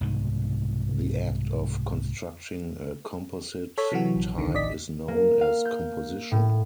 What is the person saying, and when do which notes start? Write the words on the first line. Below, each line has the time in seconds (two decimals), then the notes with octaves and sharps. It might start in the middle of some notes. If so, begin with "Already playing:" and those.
The act of constructing a composite type is known as composition.
0.01 C2 G#2 B2 D#3
3.78 A4 C#5 B6
3.92 C3 E3 F#3 F#4
4.16 A#1
4.38 C#2 D3 D#3
4.54 A1 D5 D#5 B6
5.08 A#3
5.41 F5
5.65 G6
6.32 A2